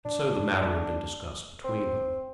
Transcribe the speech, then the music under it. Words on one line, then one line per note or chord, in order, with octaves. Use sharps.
And so the matter had been discussed between them.
D4
C4